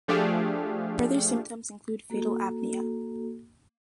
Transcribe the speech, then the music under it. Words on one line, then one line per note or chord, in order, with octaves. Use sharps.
Further symptoms include fatal apnea.
F3 A3 D4 G4 G#4 F5
A#3 F#4 A4